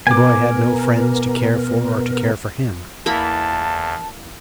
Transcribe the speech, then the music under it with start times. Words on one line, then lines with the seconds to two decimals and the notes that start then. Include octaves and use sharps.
The boy had no friends to care for, or to care for him.
0.07 B2 B3 A#4 G#5 D6
3.06 E2 A#3 E4 A5 B5